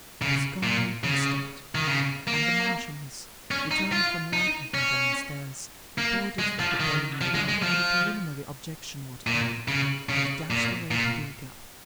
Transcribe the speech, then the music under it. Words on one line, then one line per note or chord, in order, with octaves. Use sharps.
He was gone in an instant; and the Marchioness, returning from lighting him down-stairs, reported that the pony, without any preliminary objection whatever, had dashed away at full gallop.
C#3
A#2
C#3
D#3
C#3
A#3
C#4
D#4
F4
D#4
C#4
A#3
G#3
F3
D#3
F3
G#3
G#3
F3
A#2
C#3
C#3
A#2
A#2